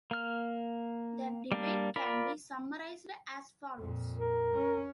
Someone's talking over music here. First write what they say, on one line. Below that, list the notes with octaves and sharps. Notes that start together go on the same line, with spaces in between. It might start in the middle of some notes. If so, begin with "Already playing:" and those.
The debate can be summarised as follows.
A#3 F6
G3 A#3 D4
F4 A#4 D5 B5
F2 A#2
A#4
C#4